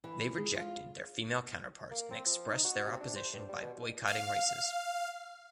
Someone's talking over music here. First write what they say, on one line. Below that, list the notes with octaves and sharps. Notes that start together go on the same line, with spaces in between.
They rejected their female counterparts and expressed their opposition by boycotting races.
E3
G#3
F4
A#3
C4
F3
D#4
F#4
C3
D4
C5
G2
G3
B2
F5